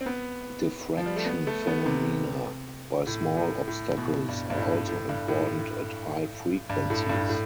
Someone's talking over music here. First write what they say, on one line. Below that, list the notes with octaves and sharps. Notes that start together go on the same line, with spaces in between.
Diffraction phenomena by small obstacles are also important at high frequencies.
C4
B3
F3
G3
A3
B3
A3
B3
C3
A2
A2
A2
B2
G2
G2
A2
A2
G2
A2
G2
A2
G2
A2